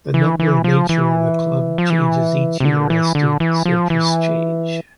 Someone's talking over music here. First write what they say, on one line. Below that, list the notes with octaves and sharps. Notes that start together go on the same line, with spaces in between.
The number and nature of clubs changes each year as student interests change.
E3
E3
F3
E3
F3
E3
C3
D3
E3
D3
E3
F3
E3